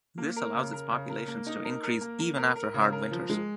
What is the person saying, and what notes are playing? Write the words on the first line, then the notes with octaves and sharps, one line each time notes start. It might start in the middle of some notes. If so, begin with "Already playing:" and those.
This allows its populations to increase even after hard winters.
A#3
A#4
C#3
A#4
C#3
A#4
A#3
D#4
A#4
A#4
A#3
A#4
A#4
A#4
C#3
A#4
F3
G#3